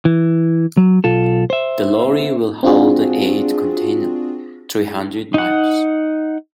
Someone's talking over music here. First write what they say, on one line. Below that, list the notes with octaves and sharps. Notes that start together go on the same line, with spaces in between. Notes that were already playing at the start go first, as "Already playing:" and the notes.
The lorry will haul the aid container three hundred miles.
E3
F#3
B1 F4 A4
C5 E5
C4 D4 F4 F#4 G#4
D#4 F#5